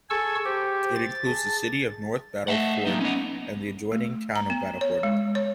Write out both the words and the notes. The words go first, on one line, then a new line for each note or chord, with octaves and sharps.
It includes the city of North Battleford and the adjoining town of Battleford.
G#4 A4 G#5 C#6 E6 G#6
G4 C5
A6
G#4 A5
A3 D#5 E5 F#5
F#3 A#3 D#4
B3 C#4 D#5
A3
A#5
B3
C#5
G#3
C#5